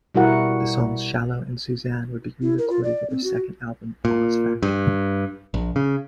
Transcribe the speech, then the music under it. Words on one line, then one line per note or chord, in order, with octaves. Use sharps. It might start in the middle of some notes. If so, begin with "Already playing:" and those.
The songs "Shallow" and "Suzanne" would be re-recorded for their second album "Oz Factor".
B2 G3 E4 F#4 A#4 F#5
E4
A#4
F4
D5
C4
F#4
A#2
G2
A#1
C#3